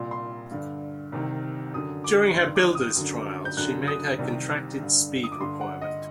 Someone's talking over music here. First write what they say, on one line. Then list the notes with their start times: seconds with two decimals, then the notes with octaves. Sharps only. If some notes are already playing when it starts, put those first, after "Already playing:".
During her builder's trials she made her contracted speed requirement.
Already playing: C2 A#2 C6
0.11 C6
0.51 G2 D3
1.12 C2 C3 D#3
1.74 F#2 D3 D#6
2.04 D6
2.34 G2 D#3 C6
2.56 D6
2.75 D#6
2.96 F#2 D3
3.45 G6
3.57 F#2 D3 F#6
3.87 D#6
4.19 C2 C3 D#3
4.80 G2 D3
5.24 D#6
5.32 D6
5.40 G2 D3 C6
5.61 F#5
5.81 D#5